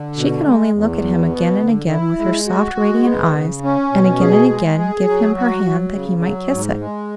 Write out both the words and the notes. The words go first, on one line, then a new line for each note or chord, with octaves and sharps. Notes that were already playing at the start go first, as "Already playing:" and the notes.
She could only look at him again and again with her soft, radiant eyes, and again and again give him her hand that he might kiss it.
Already playing: D3
B2
G#3
E2
B2
B3
D3
E4
G#3
F#4
G#3
B3
C#3
C#4
B2
G#4
G#3
G#4
F#3
F#4
F#3
C#3
F#3
G#2
G#3